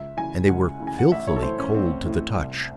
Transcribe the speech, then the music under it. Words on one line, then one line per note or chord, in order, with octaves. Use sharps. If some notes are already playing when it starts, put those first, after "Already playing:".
And they were filthily cold to the touch.
Already playing: C#2 E5
C#3 E3 G#5
C#2 F#5
C#3 E3
G#5
F#5
A1 E5
C#5
A4
A2 E3 C5
C#4
A1 C4
A2 E3
C2